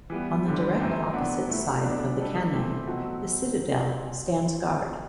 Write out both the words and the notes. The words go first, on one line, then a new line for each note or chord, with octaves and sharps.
On the direct opposite side of the canyon The Citadel stands guard.
E3 G3 B3
D3 G3 C4
F#2 E3 A3 C4
F#3 B3 D4 F#4
F#3 A3 E4
F#3 B3 D4
B2 G3 D4 A4
E3 A3 C4 G4
B2 F#3 C4 F#4 A4